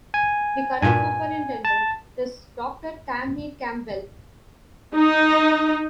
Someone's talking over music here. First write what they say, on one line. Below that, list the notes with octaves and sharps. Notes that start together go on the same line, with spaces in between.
The current Superintendent is Doctor Tammy Campbell.
G#5
G2 A#2 G#5
A5
D#4